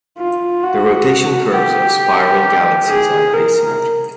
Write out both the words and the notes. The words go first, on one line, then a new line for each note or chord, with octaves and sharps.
The rotation curves of spiral galaxies are asymmetric.
F4
F#4
G4
G#4
A#4